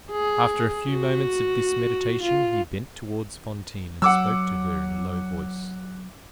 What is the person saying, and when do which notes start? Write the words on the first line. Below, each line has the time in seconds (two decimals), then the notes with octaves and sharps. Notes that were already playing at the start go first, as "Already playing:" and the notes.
After a few moments of this meditation he bent towards Fantine, and spoke to her in a low voice.
0.11 G#4
0.89 F#4
2.23 F4
4.02 F#3 F#5 D6 E6